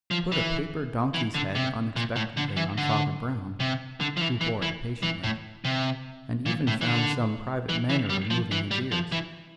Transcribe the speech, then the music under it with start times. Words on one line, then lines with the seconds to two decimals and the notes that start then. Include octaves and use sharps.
He put a paper donkey's head unexpectedly on Father Brown, who bore it patiently, and even found some private manner of moving his ears.
0.11 F3
0.32 E3
1.14 E3
1.35 D3
1.55 C3
1.96 A#2
2.16 A2
2.37 D3
2.57 E3
2.78 D3
3.60 C3
4.01 D3
4.17 F3
4.21 E3
4.41 E3
4.62 E3
5.03 E3
5.23 A2
5.65 C3
6.46 A#2
6.67 A2
6.81 E3
6.87 D3
7.69 E3
7.90 E3
8.10 G3
8.30 F3
8.51 E3
8.71 G3
8.92 F3
9.12 E3